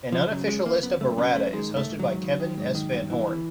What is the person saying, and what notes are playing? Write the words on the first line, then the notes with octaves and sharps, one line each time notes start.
An unofficial list of errata is hosted by Kevin S. Van Horn.
F#2 F3
C#3 F#3
F#2 G#3
F#2 A#3
F#2 B3
F#2 A3
C#3 B3
F#2 A3
D#3 G#3
G#2
A3
G#2
F#3
D#3
D#3
D#3
G#2
D#3
G2
E3
E3